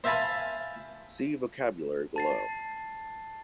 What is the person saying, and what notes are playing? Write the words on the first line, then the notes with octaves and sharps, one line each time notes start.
See Vocabulary below.
C5 E5 F5 G#5 A5 B5
A5 A6 C7